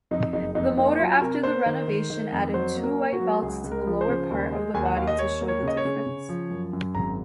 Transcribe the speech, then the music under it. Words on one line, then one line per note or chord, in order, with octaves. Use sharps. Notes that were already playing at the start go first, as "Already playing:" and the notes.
The motor after the renovation added two white belts to the lower part of the body to show the difference.
F2 D#4
F#1 D#4
F2 D#4
A#3 D#4
F#3 F4
C3 A#4
A#3 C5
D#3
D#3
D#3
F2
F#3 C5
A#3
A#4
A#3
F#4
F#3
C#2 G#4
C#2
A#4
F3
C5
C#3
D#2
G#3
D#2 G#5
F#5
D#2 F5
D#5
D#2 C#5
A#3
C#5
C#3 D#5
C#5
C#3
C#3
F3
F#2
F#2
G#1 A#5